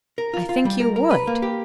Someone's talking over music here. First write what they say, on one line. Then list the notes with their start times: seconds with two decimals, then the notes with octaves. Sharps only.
"I think you would."
0.18 A#4
0.34 F4
0.49 F4
0.65 G3
0.80 A#4
0.96 A#4
1.11 B4
1.27 A#3
1.42 G4